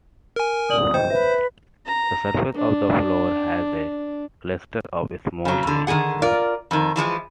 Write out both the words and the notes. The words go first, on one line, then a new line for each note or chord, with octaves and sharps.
The surface of the floor has a cluster of small hills.
A#4 G#5
D5 D#6 F#7
C5 D#5 G5
B4 E5
A#5
D4
C#3 F#3
F2 D3
D3 D#3 D#4 G#4 F#5
F4 A#4 D5
F2 D#3
E3 F3 G3 G#3